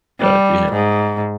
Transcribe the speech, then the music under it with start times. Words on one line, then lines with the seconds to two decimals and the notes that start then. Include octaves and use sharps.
Uh, do you have
0.20 G3
0.72 G#2